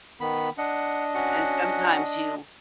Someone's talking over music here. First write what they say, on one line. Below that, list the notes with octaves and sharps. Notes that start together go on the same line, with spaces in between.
and sometimes you
D#3 B3 B5
D4 D#5 F#5
C#4 F#4 F#5